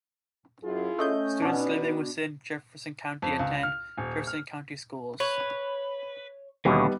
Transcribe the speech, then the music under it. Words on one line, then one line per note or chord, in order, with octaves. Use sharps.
Students living within Jefferson County attend Jefferson County schools.
F#2 E4 F4 G#4
A3 C#4 D#5 G6
B2 B3 D4 D#4
F2
C#2
F6
D#1
F6
B4 C#5
D#2 B2 D3 E3 G3 B3 D#4